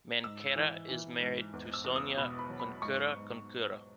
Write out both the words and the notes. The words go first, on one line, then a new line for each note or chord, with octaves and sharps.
Mancera is married to Sonia Corcuera Corcuera.
G#2 E6
E3
E3
G#2
E2
E6
E2
D#6
B2 B5
B5
F#3
B5
G#2 C#6
G#2